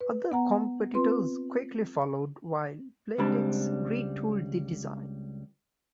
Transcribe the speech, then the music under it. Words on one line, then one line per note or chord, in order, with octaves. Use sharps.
Other competitors quickly followed while Playtex retooled the design.
B4
B3 F#5 A#5
C4 F4 B4 C6
C#2 G3 G#3 C4 D4 B5